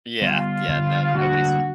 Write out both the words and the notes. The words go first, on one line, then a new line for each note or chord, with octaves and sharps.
Yeah, yeah, no, nobody speaks
D3 G3 B3 F4
D3 G3 B3 F4
D3 G3 A#3 D4 F#4